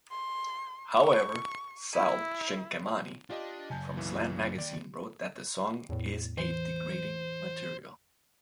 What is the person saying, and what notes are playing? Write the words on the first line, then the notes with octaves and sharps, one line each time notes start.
However, Sal Cinquemani from Slant Magazine wrote that the song is a "degrading material".
C6
C#6
E4
D4 F4 G4 D#5
F#2 C#3 G#5 A5 G6
B1 E3
D#2 D5 G5
E2 A2
E3 C5